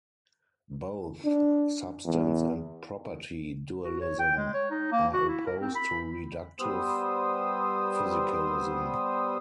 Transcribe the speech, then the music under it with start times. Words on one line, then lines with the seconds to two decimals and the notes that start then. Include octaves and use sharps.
Both substance and property dualism are opposed to reductive physicalism.
1.25 D4
2.05 E2
3.84 F#4
4.01 C#5
4.19 G5
4.37 G#3
4.53 C#5
4.71 D#4
4.92 A#3
5.13 F#4
5.28 E4
5.46 A#4
5.60 C4
5.75 B5
6.60 G3 B3 C5 D#6 E6